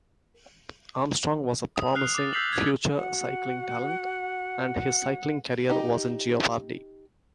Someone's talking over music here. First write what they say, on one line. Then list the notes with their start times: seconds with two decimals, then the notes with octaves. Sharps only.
Armstrong was a promising future cycling talent and his cycling career was in jeopardy.
1.76 D#6
1.95 F6 F#6 C7 F7
2.15 D6 A6
2.33 E6 G6 B6 C7 F7 F#7
2.53 G#6
2.96 F#4 F#5
5.69 D#4 G4